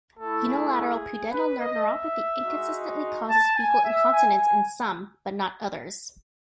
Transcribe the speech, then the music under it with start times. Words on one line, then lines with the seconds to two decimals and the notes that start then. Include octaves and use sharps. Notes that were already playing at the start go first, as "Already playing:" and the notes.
Unilateral pudendal nerve neuropathy inconsistently causes fecal incontinence in some, but not others.
0.18 A3 E4 A4
0.46 G#4
0.75 G#4
1.31 B4
1.59 D#5
1.87 E5
2.43 G#3 D#4 F#4
3.28 A5
3.56 G#5
3.85 E5
4.13 G#5